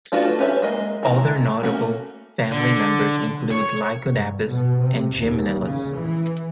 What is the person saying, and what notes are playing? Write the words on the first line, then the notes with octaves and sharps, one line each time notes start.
Other notable family members include "Lycodapus" and "Gymnelus".
A3 D4 F4 F#4 B4
C#4 G4 B4 C#5 E5
G#3 A#3 D#5
E3 G#3 E4 A#5
A3 A#3 C#4 F#4
D3
C#5
G2
B2
C3
D#2
C#3
E3